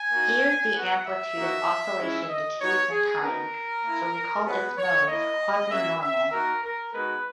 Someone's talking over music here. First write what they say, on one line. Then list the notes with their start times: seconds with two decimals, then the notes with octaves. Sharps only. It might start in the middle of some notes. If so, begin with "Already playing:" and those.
Here the amplitude of oscillation decays in time, so we call its modes "quasi-normal".
Already playing: G#5
0.11 A#3 D#4 F#4
0.73 B3 F#4 F#5
1.05 E5
1.35 A#3 D#4 F#4
1.97 G#3 C#4 E4
2.28 D#5
2.60 B3 D#4 F#4 C#5
2.90 G#4
3.21 B3 D#4 F#4 A#4
3.84 A#3 E4
4.45 G#3 B3 F#4 B4
4.77 C#5
5.07 A#3 E4 D#5
5.69 A#3 C#4 F#4 E5
6.00 E5
6.31 A#3 D#4 F#4 A#4
6.63 A#4
6.93 G#3 B3 D#4 F#4 B4